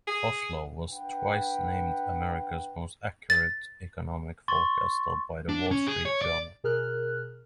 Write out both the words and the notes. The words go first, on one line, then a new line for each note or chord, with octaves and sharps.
Fosler was twice named America's most accurate economic forecaster by The Wall Street Journal.
G#4
D4 B4 F#5 G5
A6
C6 C#6 A6
D4
C#4
G#4
C#5
D5
B2 G#4 A#4 F6 F#6